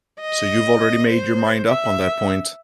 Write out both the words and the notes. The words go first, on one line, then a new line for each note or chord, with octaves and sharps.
So you have already made your mind up on that point!
D#5
C5
E5